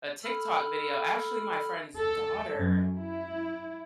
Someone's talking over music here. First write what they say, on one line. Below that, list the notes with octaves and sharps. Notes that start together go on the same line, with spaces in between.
a TikTok video actually, my friend's daughter,
A4 B5 F6
A4
F#2
E4